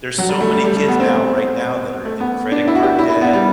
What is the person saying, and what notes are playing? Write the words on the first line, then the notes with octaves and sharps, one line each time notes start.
there's so many kids now, right now that are in credit card debt,
F#3
G3
A3
G3
G3
A3
B3
C4
A3
B3
D4
E4
F#4
G4
E4
E4
B3
G3